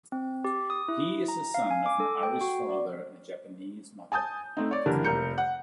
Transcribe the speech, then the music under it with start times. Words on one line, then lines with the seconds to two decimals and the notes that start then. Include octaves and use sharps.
He is the son of an Irish father and a Japanese mother.
0.12 C4
0.44 G4
0.70 D#6
0.88 E4
1.28 A#5
1.54 F5
1.71 G#5
1.86 D6
2.00 A4
2.23 G5
2.41 F#4
2.69 D5
4.12 G#5 A5 D#6 G6
4.57 A3 C4 D#4
4.71 C#5 D5
4.86 F#1 D3 E3 G3 A#4 A5
5.04 F1 A#4 A#5 G6 C#7
5.38 F#5